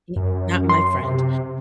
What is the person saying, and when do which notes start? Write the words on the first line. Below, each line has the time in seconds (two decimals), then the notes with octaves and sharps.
M not my friend.
0.16 F#2
0.70 C6
1.03 C3